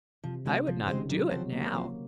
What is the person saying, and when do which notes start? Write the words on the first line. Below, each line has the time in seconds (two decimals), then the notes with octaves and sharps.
I would not do it now.
0.24 C3 F3
0.45 C3 G#3 C4 F#4 C5
0.67 C3 F3
0.84 D#3
0.88 C#3 G#3 C4 F#4 C5
1.10 A#2 F#3
1.31 F3 C4 F#4 C5
1.52 A#2 A#3
1.74 F3 C4 F#4 C5